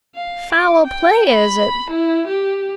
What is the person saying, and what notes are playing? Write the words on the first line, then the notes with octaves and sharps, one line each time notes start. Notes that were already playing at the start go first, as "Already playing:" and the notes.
Foul play, is it?
F5
D6
G5
B5
E4
G4